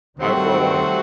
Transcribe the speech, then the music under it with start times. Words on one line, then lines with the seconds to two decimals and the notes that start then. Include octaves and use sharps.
I've, uh
0.17 C3 D#3 F#3 G3 A3 C4 F#4